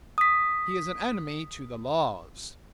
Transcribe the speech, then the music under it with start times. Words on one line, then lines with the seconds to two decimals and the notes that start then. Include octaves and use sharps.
He is an enemy to the laws.
0.18 D#6 B6